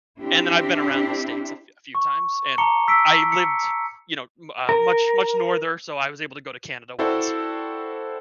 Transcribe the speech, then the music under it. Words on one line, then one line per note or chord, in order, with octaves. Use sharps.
and then I've been around the states a f a few times, and I lived, you know, n uh, much, much norther, so I was able to go to Canada once.
C4 D4 E4 G4
C#6
A5 A#5 D6 C#7 G7
E6 B6 C7 D7
C#7
A#4
C4 E4 F#4 A4 C5 D5